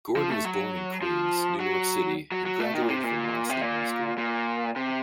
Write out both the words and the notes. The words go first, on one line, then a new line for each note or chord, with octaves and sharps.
Gordon was born in Queens, New York City and graduated from Roslyn High School.
F3
A3
F#3
F3
F#3
F#3
F#3
A3
D#3
A#2
C3
A#2
C3
A#2
A#2
C3